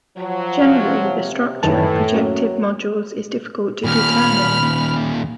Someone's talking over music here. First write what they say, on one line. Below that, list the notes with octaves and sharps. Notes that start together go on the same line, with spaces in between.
Generally, the structure of projective modules is difficult to determine.
F3 F#3
C3 C#5 F5
F#2 A2 D#3 E3 A5
F#3 A#3 C#4
D#2 A#2 B5 F6